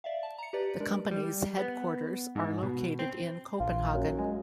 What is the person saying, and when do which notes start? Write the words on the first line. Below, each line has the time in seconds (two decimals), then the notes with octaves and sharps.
The company's headquarters are located in Copenhagen.
0.04 D5 E5 F5
0.23 A5
0.38 A#5 C#7
0.53 G4 B4 D5
0.80 G#3 D4 A#4 D5
1.11 G3
1.58 B3
2.35 G#2
2.62 B2
2.99 C4
3.60 A#1 F4
3.94 F#2
4.19 G#3